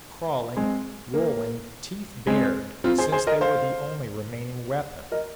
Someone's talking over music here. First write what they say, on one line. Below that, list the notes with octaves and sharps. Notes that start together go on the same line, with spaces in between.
Crawling, rolling, teeth bared, since they were the only remaining weapon.
G#3 C4
A#3
G#3 C4
C4 F4
G#4 C5
G#4 C5
A#4 D#5
C5 F5
A#4 D#5